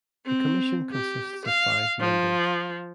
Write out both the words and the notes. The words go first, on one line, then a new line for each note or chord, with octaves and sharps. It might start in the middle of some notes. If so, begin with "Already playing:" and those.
The commission consists of five members.
C4
G4
F5
F3